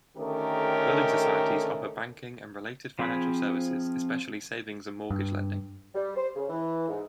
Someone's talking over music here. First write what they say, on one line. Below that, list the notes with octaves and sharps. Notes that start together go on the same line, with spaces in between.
Building societies offer banking and related financial services, especially savings and mortgage lending.
D3 D#3 A3 C#4 G4 A#4
F3 C4 G#4 B5
G2
G3
C5
C#3
E3
G#2